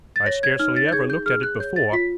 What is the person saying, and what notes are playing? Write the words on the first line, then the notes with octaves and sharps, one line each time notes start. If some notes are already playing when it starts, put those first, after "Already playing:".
'I scarcely ever looked at it before.
A6
C#5 A#6
G#6
D#4 F6
A6
G6
G#4 G#6
G6
G#4 F6
F#6
C#5 G6
A6
F4 B6